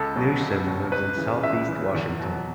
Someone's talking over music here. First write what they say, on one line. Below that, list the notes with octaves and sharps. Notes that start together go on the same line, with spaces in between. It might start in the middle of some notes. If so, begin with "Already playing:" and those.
Newsham lives in Southeast Washington.
Already playing: C#2 A4
B2 F#3
C#2
B2 F#3
C#2 B4
C#3 E3
C#2 E5
C#3 E3
E2
B2 F#3